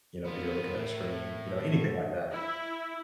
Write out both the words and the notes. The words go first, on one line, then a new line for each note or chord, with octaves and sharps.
you know, 'cause you're looking at the screen, you know, anything like that.
B3 F4 A#4
A2
D3
E4